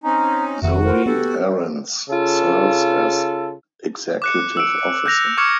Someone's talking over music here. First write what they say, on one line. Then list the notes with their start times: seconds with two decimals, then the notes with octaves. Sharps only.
Zoe Arantz serves as Executive Officer.
0.04 C4 C#4 D#4 A#5
0.62 F1 F2 D#3 F#4 E5
0.84 A#4 C5
1.06 B3 G4 A4
2.09 C#3 F4 A4
4.22 D6 F#6 C#7
4.57 E6 D7
5.06 F#6 G6 A#6 F7
5.37 C#6 D6 F6 G#6 C#7